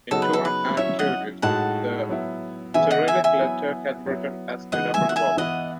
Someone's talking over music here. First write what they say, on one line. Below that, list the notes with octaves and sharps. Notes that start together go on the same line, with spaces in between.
In Tuvan and Kyrgyz the Cyrillic letter can be written as a double vowel.
C#3 F#3 B3 D#4 F#4 A4
B4
A4
B4
F#3 C#4 E4 C#5 E5
D#5 F#5
A2 G#3 D#4 F#4 F#5 A5
F#3 B3 E4
C#3 E3 B3 E4 E5 G#5
D#5 F#5
E5 G#5
E5 G#5
F#3 B3 E4
F#3 B3 E4
C#3 E3 G#3 B3 D#4 D#5 F#5
E5 G#5
F#5
E5 G#5
E3 B3 E4 D#5 F#5